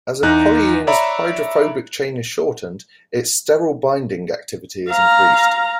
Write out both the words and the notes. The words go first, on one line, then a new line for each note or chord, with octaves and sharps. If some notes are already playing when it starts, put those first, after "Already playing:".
As a polyene's hydrophobic chain is shortened, its sterol binding activity is increased.
E2 D#4 F#6
C#5 D5 E5 A#5 B5
F5 A#5